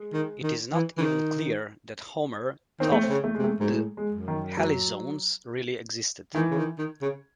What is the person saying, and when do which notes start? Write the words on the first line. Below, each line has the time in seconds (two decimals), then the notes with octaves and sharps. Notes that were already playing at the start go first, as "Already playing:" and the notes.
It is not even clear that Homer thought the Halizones really existed.
Already playing: G#3
0.13 D#3
0.43 D#3
0.73 E3
0.97 E3
1.02 D#3
2.80 D#3 C4
2.92 A3
3.03 C4
3.09 C#3
3.24 A3
3.35 C3 G#3
3.44 A3
3.60 G#2 F#3
3.68 A2 G#3
3.97 G#3
4.12 F#2
4.28 D#3
4.57 F#3
6.34 D#3 E3
6.50 C#3
6.57 D#3
6.78 D#3
7.01 C#3